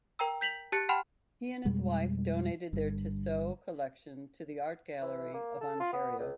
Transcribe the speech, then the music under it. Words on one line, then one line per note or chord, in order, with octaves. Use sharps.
He and his wife donated their Tissot collection to the Art Gallery of Ontario.
A#4 G5 A#5 E6
G6 B6 F7 F#7
G4 A5 F#6 A6 C#7
F#5 G5 A5 B5 C6 F6
F2 B2 G3 G#3
G1 G2
E3
A#3
A4
F4
B3
C#2